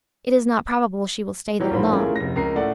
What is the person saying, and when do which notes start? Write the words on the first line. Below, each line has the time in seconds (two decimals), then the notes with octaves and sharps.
It is not probable she will stay there long.
1.60 E3 F#3 G3 G4
1.71 A#1 G#2 A#3 F4 C5 B5
1.92 A3 C#4 E4 F4 G#4 A#4
2.16 F1 A#6
2.36 C#2 A#4 A#5 C7
2.55 A2 A3 D5 F#5